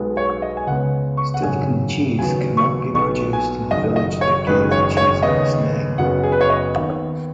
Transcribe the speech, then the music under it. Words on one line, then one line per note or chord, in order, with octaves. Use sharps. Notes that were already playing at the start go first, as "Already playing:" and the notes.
Stilton cheese cannot be produced in the village that gave the cheese its name.
Already playing: B1 B2 G#3 B3
C#5
D#5
G#5
C#2 C#3 B3 F#5
C#6
F#5
G#1 F#2 C#3 G#5
D#2 C#3 F#3 B3 G#5
C#6
B1 B2 B3 C#6
G#5
F#1 F#2 D#3 D#5
D#5
C#5
F#1 F#2 D#3 G#3 B4
C#5
C#5
D#2 C#3 B3 D#5
F#1 F#2 F#3 B3 F#5
G#4
B4
C#5
D#5
D#2 D#3 B3